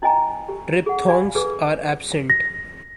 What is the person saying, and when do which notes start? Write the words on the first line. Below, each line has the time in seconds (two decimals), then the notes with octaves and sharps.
Triphthongs are absent.
0.02 D#4 E4 D#5 G5 G#5 A#5
0.48 G4
0.86 G#4 F#5
1.07 G4 D5 F5 G#5 B5
1.35 G#4 B4 D6
2.30 A#6